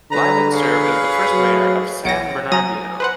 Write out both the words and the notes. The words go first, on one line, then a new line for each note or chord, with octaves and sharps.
Lyman served as the first mayor of San Bernardino.
D3 B4 A#5
G#4 B4 C#5 F5
F#3
B1 C#5 F#5 G5 A#6
F#3 G#5 A#5 D#6 A#6
B4 C5 F#5